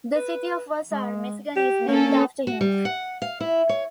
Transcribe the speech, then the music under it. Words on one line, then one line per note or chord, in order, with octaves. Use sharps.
The city of Vassar, Michigan is named after him.
B4
G#3
G4
A#3 C#4 A4
F#4
G3
F#5
F5
E4
C#5